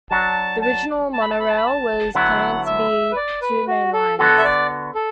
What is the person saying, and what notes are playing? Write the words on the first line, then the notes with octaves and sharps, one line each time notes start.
The original monorail was planned to be two main lines.
F#3 D4 F#4 A5
A5
A5
B5
A5
B5
A5
B5
A5
D3 F#3 B3 E4 F#5
E5
B4
D5
B4
F#4
A4
D3 B3 F#4 A4
E5
D5
A4